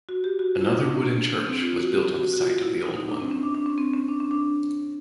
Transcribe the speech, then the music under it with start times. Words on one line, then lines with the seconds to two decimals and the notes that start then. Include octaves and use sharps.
Another wooden church was built on the site of the old one.
0.09 F#4
0.24 G4
0.39 F#4
0.55 F4
0.61 E4
0.66 D#4
0.78 D4
0.90 C#4
1.47 C4
1.62 F4
1.78 F#4
1.93 G4
2.16 F#4
2.34 F#4
2.39 F4
2.63 E4
2.85 D#4
2.97 D#4
3.08 D4
3.20 C4
3.31 C#4
3.43 D4
3.55 D4
3.66 C#4
3.78 C4
3.94 C#4
4.09 D4
4.20 C#4
4.31 D4